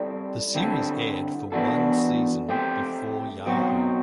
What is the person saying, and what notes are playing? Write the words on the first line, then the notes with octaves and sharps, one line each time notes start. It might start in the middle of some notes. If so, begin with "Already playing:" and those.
The series aired for one season before Yahoo!
Already playing: G3 C4 E4 A4 D5
D3 G3 C4 E4 A4
E3 B3 D4 F#4 A4
A3 C4 G4
B2 F#3 C4 F#4